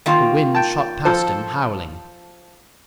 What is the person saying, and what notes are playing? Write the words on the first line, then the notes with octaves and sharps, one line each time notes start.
The wind shot past him howling.
D#3 A#3 F4
G5 A5
F3 A4 C5